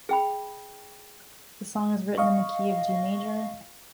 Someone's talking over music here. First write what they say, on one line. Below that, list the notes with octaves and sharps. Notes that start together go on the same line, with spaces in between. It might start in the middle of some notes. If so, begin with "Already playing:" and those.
The song is written in the key of D Major.
G#4 G5 B5
D#5 F5 C#6